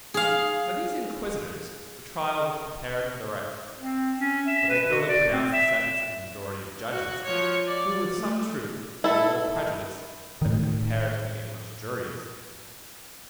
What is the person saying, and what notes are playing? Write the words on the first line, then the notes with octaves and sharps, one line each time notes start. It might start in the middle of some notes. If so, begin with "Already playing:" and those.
By these inquisitors the trial was prepared and directed; but they could only pronounce the sentence of the majority of judges, who with some truth, and more prejudice, have been compared to the English juries.
G#4 F5
C4
C#4
E5
B4
F#4
D5
C4
E5
F#4
F3 C#5
D5
A3
E4 A4
A2 D#3